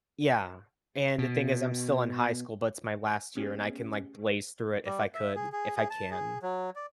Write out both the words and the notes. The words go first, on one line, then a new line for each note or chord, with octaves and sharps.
Yeah, and the thing is I'm still in high school, but it's my last year, and I can, like, blaze through it if I could if I can.
B2
A3 B3 C#4 G4 G#4
G3
E5
G#4
G#4
G#4
A5
G#4
F#3
D5